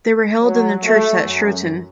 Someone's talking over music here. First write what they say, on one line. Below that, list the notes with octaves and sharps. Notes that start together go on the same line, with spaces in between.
They were held in the church at Shroton.
F#3
A3
F#2